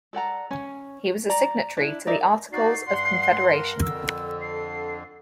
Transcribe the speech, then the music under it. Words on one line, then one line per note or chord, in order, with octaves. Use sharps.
He was a signatory to the Articles of Confederation.
A4 D5 F#5 A#5
C#4
D5 A#5
D4 E4
D#4 A#4 D5 E5
D#4 F#4 D5 C7
G2 D5 F#5 C6
A#4
F2 D3 E6
A4 C7